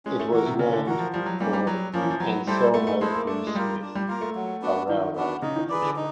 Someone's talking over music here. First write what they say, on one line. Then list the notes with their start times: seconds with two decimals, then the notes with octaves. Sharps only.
It was named for Anselmo B. Smith, a railroad official.
0.05 G#3 C#4
0.19 A3
0.32 E3 F#4 A#4
0.46 C3
0.59 C#3 C#4
0.73 D3
0.86 E3 F#4 A#4
0.99 F3
1.13 F3 G3
1.26 F#3
1.40 G3 A#3 C#4
1.53 G3
1.67 F#3 G3
1.94 F3 A#3 C#4
2.02 E3
2.10 F3
2.20 F#3 B3
2.47 G3 E4 A4 C5
2.74 A3 B3
2.87 A3
3.01 G#3 E4 A4 C5
3.15 A#3
3.27 A3 D4
3.47 G#3
3.55 G3 F4 A#4
3.82 D4
3.95 G3
4.08 A#3 F4 A#4
4.21 A3
4.35 F#3
4.62 B3 D4 F#4
4.89 D#3 F#3
5.15 B3 D4 F#4
5.42 C#3 D#4
5.56 D#3
5.69 E3 G#4 B4 D5
5.82 D3
5.96 D#4